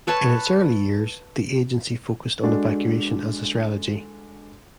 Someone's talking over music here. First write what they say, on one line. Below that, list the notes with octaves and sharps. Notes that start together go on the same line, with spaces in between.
In its early years, the agency focused on evacuation as a strategy.
A4 B4 C#5 A5
G#3 D4 F#4 A4